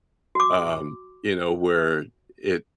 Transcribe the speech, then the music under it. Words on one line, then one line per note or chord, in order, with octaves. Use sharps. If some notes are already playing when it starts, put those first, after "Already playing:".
um, you know, where it
F#4 D6